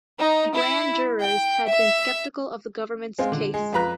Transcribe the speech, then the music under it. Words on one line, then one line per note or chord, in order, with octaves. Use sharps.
Grand jurors had been skeptical of the government's case.
D#4
E4
G5
E5
G#3 C4 F4
D3
G#3
F2 F4 B4 A#5 F#6